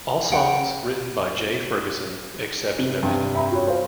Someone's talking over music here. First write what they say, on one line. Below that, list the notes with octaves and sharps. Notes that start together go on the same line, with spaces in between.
All songs written by Jay Ferguson except noted.
F#5 G5
C3
B4
G2 C3
E5 A#5 B5
F#4 C#5
C5 F5